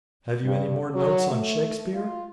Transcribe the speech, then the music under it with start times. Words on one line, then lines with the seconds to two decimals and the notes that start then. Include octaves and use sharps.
Have you any more notes on Shakspeare?
0.43 G2
0.95 F#3
1.31 A3
1.94 F4